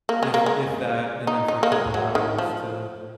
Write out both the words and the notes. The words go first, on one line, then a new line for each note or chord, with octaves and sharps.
if if that, and then for a couple hours to,
A#3
G#3
A#3
G#3
D#4
D#4
A#3
G#3
F#3
D#3
F3